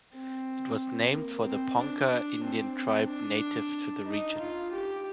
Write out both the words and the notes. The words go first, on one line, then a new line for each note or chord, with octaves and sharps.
It was named for the Ponca Indian tribe native to the region.
C4
A#3
C4
D4
D4
C4
C4
D4
D#4
F4
G4